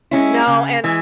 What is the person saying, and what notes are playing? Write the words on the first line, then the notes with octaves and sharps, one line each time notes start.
No, and,
G#3 C#4 E4
C#3
E3 G#3